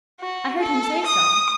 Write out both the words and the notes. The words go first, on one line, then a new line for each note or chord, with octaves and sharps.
I heard him say so.'
F#4
A4
D#6